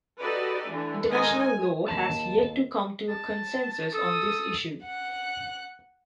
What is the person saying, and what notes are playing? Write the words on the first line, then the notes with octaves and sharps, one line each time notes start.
International law has yet to come to a consensus on this issue.
D#4 F#4 G4 A4 B4 D5
D3 E3 A3
D3 D#3 G#3 D#4 D#5 G#5
G#5
D#2 A5
A5
A4 D#6
F#5 F#6